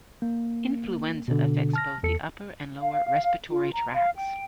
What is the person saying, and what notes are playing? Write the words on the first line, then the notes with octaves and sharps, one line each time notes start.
Influenza affects both the upper and lower respiratory tracts.
A#3
B2 D3
A5 F6 A#6
E2 A4 C#7
F5
F4
A#5
F5
G5